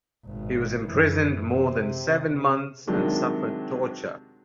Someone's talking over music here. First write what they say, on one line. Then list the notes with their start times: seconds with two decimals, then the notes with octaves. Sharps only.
He was imprisoned more than seven months, and suffered torture.
0.24 G#1 B2
0.84 F#2 E3
1.49 C3
2.88 C3 D#3 F#3 G#3 D4